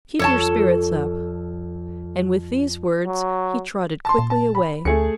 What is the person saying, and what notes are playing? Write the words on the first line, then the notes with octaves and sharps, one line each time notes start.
Keep your spirits up.' And with these words he trotted quickly away.
F2 A4 C#5 A5
F#3
A5 C6
A#2
A5
B5
D2 A3 G#4 C#7